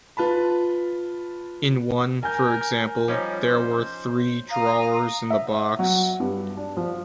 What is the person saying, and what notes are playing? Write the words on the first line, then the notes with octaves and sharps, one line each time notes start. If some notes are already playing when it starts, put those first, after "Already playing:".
In one, for example, there were three drawers in the box.
F4 B4 A5 B5
A#4 G#5 G6
F3 G3 C#4 D#4
C5
F5 A#5 D#6
E5
F#3
G2
D4
F3